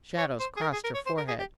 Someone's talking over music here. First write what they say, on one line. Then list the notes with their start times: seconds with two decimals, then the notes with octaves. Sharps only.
Shadows crossed her forehead.
0.18 C#5
0.40 C5
0.57 G#4
0.62 A#4
0.73 G#4
0.84 A#4
0.95 C#5
1.07 C5
1.18 A#4
1.28 G#4
1.40 G4